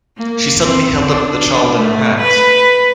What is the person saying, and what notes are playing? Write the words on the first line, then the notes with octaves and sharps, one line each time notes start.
She suddenly held up the child in her hands.
A#3
C4
D4
A3
B4